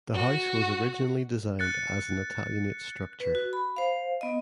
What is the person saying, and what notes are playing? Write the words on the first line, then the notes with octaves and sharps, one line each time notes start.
The house was originally designed as an Italianate structure.
F#4
F#6 A6 C#7
B4
F#4
B5
C5 F5
B3 D#5